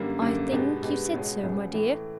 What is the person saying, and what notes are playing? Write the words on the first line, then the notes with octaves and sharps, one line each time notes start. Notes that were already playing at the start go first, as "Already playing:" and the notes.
"I think you said so, my dear."
Already playing: F#2 D3 G3 A#3
F#2 D3 G3 A#3
B2 G#3 B3 D4 G4
B2 G#3 B3 D4 G4
C#2 B2 G#3 C#4
C#2 B2 G#3 C#4
A2 E3 A3